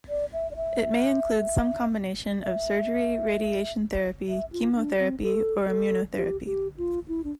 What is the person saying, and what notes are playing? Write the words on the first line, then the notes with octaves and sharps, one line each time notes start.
It may include some combination of surgery, radiation therapy, chemotherapy, or immunotherapy.
D5
E5
D5
E5
E5
E5
F4
D4
C4
A4
A4
G4
G4
F4
E4
D4